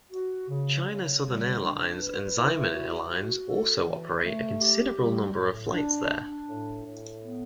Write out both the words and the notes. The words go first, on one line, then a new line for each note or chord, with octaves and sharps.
China Southern Airlines and Xiamen Airlines also operate a considerable number of flights there.
F#4
C#3
C#3
G3
D4
B4
E4
F#4
F#4
A4
E3
A3
G4
G3
A2
D4
D4
A2
A2
B3